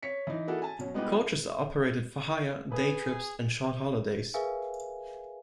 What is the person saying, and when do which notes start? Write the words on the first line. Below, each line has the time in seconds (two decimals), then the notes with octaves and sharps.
Coaches are operated for hire, day trips and short holidays.
0.03 C#5 B6 C#7
0.27 E3 D#4
0.48 A#3 E4 F#4 G#4 A4
0.62 G#5 A5
0.79 B2 F#3 C#4
0.94 G3 G#3 B3 D#4 F4 G4
2.72 G#4 B4
4.34 G#4 A#4 B4 E5 F5 G#5